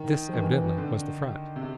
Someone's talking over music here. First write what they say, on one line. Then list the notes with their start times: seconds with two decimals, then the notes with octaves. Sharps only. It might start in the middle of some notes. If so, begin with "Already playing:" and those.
This, evidently, was the front.
Already playing: D#3
0.29 F3
0.32 D#3 E3
0.77 D3
1.56 C3